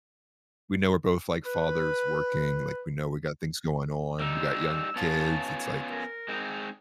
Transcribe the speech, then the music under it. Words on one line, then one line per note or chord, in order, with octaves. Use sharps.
we know we're both, like, fathers working, like, we know we got things going on, we got young kids, it's, like
B4
G3 D#4 E6
B3 C#4 F4 A5
A#4
G#3 C4 D#4